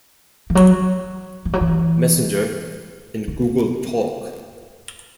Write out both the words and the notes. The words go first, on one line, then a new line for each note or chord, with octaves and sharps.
Messenger, and Google Talk.
E3
F#3
E3
F#3
E3
D3